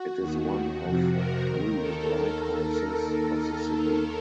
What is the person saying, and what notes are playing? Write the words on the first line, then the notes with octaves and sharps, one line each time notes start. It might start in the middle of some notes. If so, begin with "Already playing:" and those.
It is one of three lighthouses of the city.
Already playing: F#4
D#2 D#3
F2 C3 F3
A#4
D#2 D#3 A#4
A4